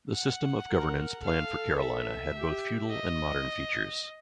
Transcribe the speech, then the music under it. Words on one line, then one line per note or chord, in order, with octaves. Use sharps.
The system of governance planned for Carolina had both feudal and modern features.
F#5
A#4
A4 F5
E5
G4
D#5